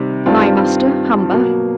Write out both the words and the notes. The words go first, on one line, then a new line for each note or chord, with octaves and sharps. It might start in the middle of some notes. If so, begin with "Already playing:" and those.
My master, Hamper.
Already playing: C3 D#3 G3 C4
G2 D#3 G3 C4 F4
B2 F#3 A#3